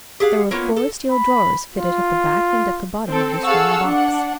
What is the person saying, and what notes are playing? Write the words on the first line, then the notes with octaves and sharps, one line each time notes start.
There were four steel drawers fitted at the back and at the bottom of the strong box.
G4 G#4 F5 F#5
A#3 B3 C#4 F4
A4
B5
F4
C4 A4
G#4 A4 F5 F#5 C#6 E6
D4 F#5